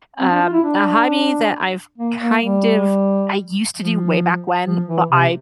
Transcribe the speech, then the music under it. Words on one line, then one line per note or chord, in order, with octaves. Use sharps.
um, a hobby that I've, kind of, I used to do way back when, but I
C4
D4
F4
E4
D4
A#3
A#3
G3
F3
F3
E3
C3